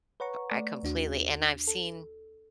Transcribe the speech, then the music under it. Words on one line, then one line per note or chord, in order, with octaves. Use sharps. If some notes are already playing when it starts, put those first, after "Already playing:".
I completely, and I've seen
B4 C#5 F#5 A#5 C#6
A3 D5
D#2 D4 F#4
A4